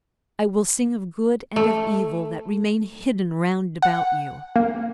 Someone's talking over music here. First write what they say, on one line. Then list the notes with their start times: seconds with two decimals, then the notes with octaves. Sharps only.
I will sing of good and of evil that remain hidden round about you.
1.56 A3
3.82 F#5
4.56 A#3